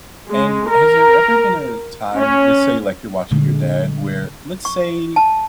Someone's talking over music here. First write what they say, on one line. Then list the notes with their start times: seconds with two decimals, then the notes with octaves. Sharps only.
And has there ever been a time- let's say like you're watching your dad- where let's say
0.29 G#3
0.68 A#4
2.16 C#4
3.31 A#2 D3 G#3
4.65 C#6
5.16 A5